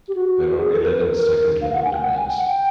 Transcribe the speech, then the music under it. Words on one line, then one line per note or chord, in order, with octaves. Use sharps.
There are eleven second-level domains.
G4
F#4
F#4
G#4
A4
A#4
B4
A4
A#4
F5
F#5
G#5
G5
F#5
G#5
G5
F#5
G5